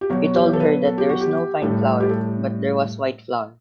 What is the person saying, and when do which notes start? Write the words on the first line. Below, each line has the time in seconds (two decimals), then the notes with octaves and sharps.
He told her that there was no fine flour, but there was white flour.
0.01 G4
0.10 B2 F#3 F#4
0.34 G4
0.53 A4
0.60 B4
0.85 A4
0.98 G4
1.09 F#4
1.21 G4
1.62 A2 G3 A4
2.00 G4
2.09 A4